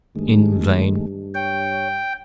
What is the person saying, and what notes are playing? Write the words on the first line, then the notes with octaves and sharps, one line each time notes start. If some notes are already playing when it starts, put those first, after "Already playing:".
In vain!
G2 D#3 G#3 A3
C#5 G5